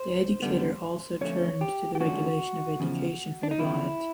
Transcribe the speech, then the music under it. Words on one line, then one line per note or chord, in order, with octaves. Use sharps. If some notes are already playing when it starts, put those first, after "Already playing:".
The educator also turned to the regulation of education for the blind.
Already playing: C5
F#2 D3 G3 B3
F2 D3 F3 A3 C#4 C#5
G4
G4
F2 D3 F3 A3 C#4 F#4
E2 C#3 F3
D4
D#4
E2 C#3 F3 E4